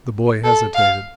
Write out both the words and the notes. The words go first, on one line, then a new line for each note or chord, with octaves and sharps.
The boy hesitated.
A4
F5